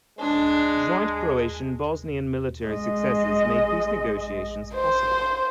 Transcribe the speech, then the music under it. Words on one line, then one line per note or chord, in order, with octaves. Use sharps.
Joint Croatian-Bosnian military successes made peace negotiations possible.
G#3 D4
G#3 D#5
C5